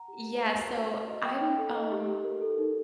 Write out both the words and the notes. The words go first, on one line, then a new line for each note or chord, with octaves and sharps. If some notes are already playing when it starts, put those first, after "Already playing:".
Yeah, so I'm, um,
Already playing: F#5 A#5
G4
A#4
C5
F#4
F#4
A4
D#5
G5
D#4
A4
D#5
G4
G4
A#4
A4
D#4